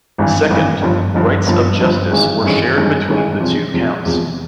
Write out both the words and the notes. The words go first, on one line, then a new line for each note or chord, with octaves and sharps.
Second, rights of justice were shared between the two counts.
G#1 G2 E3
G#1 G2 E3
G1 G2 F3
G1 G2 F3
G1 G2 F3
G1 G2 F3
G#1 G2 E3 G#3 C#4
G#1 G2 E3 G#3 C#4
G#1 G2 E3 G#3 C#4
G#1 G2 E3 G#3 C#4
E1 E2 C3 F3
E1 E2 C3 F3
E1 E2 C3 F3